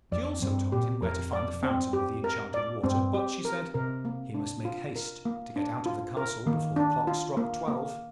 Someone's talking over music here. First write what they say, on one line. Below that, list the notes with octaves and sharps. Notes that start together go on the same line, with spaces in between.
She also told him where to find the fountain with the enchanted water; but, she said, he must make haste to get out of the castle before the clock struck twelve.
F2 D5
G2 C4
A#2 G4
F2 A#4
D5
C4
G4
A#4
D5
G2 C4
G4
A#4
C3 A#4
A#3
D4
F4
A#4
A#3
D4
F4
A#4
D#3 A#3
D4
F4
A#3
A#3